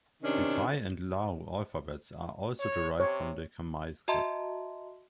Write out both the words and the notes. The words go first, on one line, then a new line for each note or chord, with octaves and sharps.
The Thai and Lao alphabets are also derived from the Khmer script.
C3 D#3 C#4 D4
C#5
C3 C#5
F#4 D#5 E5 A5 A#5 C6